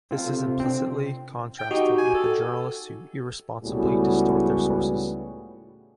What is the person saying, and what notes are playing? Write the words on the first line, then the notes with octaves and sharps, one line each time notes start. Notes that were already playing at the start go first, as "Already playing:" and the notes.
This is implicitly contrasted with the journalists who irresponsibly distort their sources.
C4 F4 A4
C3
C4 D4
G5
D#4 F#4 G4
G#5
A4
C#2 A2 G3 B3 F#4 G#4